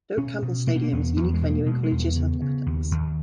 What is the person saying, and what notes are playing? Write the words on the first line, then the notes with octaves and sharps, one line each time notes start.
Doak Campbell Stadium is a unique venue in collegiate athletics.
B2 C#4
B2
B2 A#3
B3
A#3
E2 B3
E2 B3
G#3
B2
A#3
B2 G#3
G#3
E2
B3
C#3
C#3
D#2
D#2